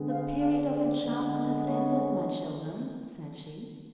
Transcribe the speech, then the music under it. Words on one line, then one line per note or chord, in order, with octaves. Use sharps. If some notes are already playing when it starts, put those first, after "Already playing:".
"The period of enchantment is ended, my children," said she.
Already playing: D3 G#3 B3
F5
F5
D5
D3 G#3 B3
C#5